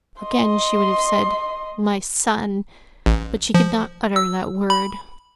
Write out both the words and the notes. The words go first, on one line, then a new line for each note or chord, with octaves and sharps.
Again she would have said "my son," but she could not utter that word.
D#5 C6
A1
F3
E6
B5